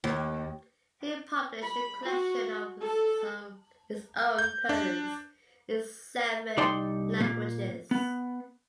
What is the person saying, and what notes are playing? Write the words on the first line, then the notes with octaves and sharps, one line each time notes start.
He published a collection of his own poems in seven languages.
D#2
B5
F#4
A4
G6
D4
C2 D#4 D5 G5 A5 C6
A#2 A#3
B3